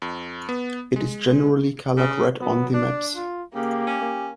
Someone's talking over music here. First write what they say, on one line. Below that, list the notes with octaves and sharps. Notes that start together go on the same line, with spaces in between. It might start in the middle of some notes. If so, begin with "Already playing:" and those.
It is generally coloured red on the maps.
F2
B3
G#3
C#3
F#3 B3
D4 D5
F4
C#3 A#3 G4
C#4